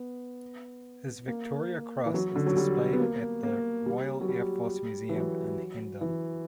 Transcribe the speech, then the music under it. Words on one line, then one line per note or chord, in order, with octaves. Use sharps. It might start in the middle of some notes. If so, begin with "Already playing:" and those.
His Victoria Cross is displayed at the Royal Air Force Museum in Hendon.
Already playing: B3
A#3
E3
F#3
D3
F#3
G3
B3
A#3
A#3
G3
F#3
G3
E3
F#3
E3